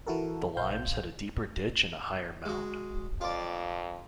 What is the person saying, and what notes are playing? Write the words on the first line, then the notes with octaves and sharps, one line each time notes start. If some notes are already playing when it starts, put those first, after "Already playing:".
The Limes had a deeper ditch and a higher mound.
E3 E4 F#4 A4 A#4
A#1 C5 F5 G6
G#3 F#4
F2 F4 D5